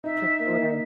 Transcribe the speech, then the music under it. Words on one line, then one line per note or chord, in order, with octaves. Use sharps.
For sure.
D#4 E5
A#3